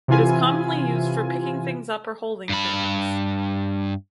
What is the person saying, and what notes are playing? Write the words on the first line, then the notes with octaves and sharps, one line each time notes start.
It is commonly used for picking things up or holding things.
C3 E3 E4 F4 G#5
G2 B5